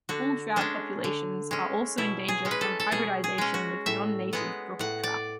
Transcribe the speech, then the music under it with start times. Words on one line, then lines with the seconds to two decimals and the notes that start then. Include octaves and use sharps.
Bull trout populations are also in danger from hybridization with non-native brook trout.
0.09 D3 F#4
0.56 G#3 C#4 D4
1.04 D3
1.51 G#3 C#4
1.98 B2 E4
2.28 G#4
2.45 G#3 C#4
2.51 B4
2.61 A4
2.80 A4
2.91 B2 G#4
3.24 G#4
3.38 G#3 C#4
3.54 F#4
3.86 A2 E5
4.33 G#3 B3 F#5
4.79 A2 F#5
5.03 D5